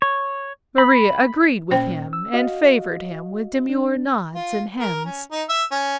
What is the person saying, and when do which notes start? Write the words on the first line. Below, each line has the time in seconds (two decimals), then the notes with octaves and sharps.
Maria agreed with him and favoured him with demure nods and hems.
0.02 C#5
0.78 B5
1.71 A#2 C#4 C5 G5
2.13 E6
2.33 F#4 D#5 F5
3.69 D4
4.34 F4
4.80 A#4
5.05 C#4
5.31 D#4
5.49 E5
5.71 C#4